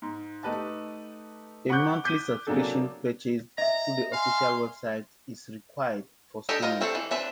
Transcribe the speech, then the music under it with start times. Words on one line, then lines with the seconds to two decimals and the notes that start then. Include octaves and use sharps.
A monthly subscription purchased through the official website is required for streaming.
0.02 G#2
0.43 A3 D#4 G4 B4 A5
1.69 F#5 B5 C#6 D6 F#6 G6
2.04 D6 G6 B6 D#7
2.47 C3 F#3 A#3 D4 G#4 A4
3.58 D#5 E5 A#5
4.13 F5 G#5 C6
6.49 D4 D#4 G4 A4 D#5
6.62 D#4 F4 A#4 D#5
6.81 A3 C4 D4 A4
6.95 E3
7.11 C4 D4 B4 E5